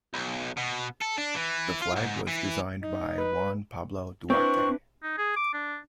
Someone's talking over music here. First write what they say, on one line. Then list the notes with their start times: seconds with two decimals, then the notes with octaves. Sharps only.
The flag was designed by Juan Pablo Duarte.
0.14 B1
0.57 B2
1.01 A4
1.18 D4
1.34 E3
1.82 F4
1.96 G#2
2.27 E3
2.83 D#4
3.18 B4
4.30 C4 D4 E4 B4 C#6
5.03 D#4
5.18 G#4
5.36 D6
5.53 D4